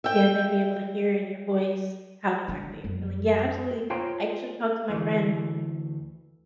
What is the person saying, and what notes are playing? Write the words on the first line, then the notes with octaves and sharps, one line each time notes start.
Yeah, they'd be able to hear in your voice how exactly you're feeling. Yeah, absolutely, I actually talk to my friend
E5 G5
D3
F#2
F4 C5 C#5 G5 A#5 C6
D2 E3 A3